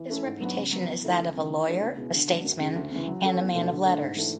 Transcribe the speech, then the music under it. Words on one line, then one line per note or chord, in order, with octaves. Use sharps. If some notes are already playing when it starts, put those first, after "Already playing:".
His reputation is that of a lawyer, a statesman and a man of letters.
Already playing: E3
A3 C#4 E4 A4
G#2
F#3 B3 D4 F#4
C#3
F#3 B3
E2
D3 A3 E4 A4
C#2
C#3 E3
E3
A3 D4 F#4 C#5
C#2
B2 G#3 B3 E4
D3
F#3 A3 D4 A4
F#2
C#3 E3 G#3
D2
C#3 E3
F#3
C#4 F#4 A4 C#5
E2
B2 A3 D4
D3
A3 D4
G#2
E3 A3 D4